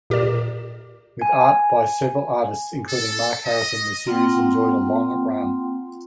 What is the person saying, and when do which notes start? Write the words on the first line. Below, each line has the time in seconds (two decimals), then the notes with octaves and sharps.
With art by several artists including Mark Harrison, the series enjoyed a long run.
0.10 A#2 G4 A#4 D5 E7
1.22 G#5
2.88 A4
3.45 D#5
4.07 A#3 C4 F4 F#5 G5 C6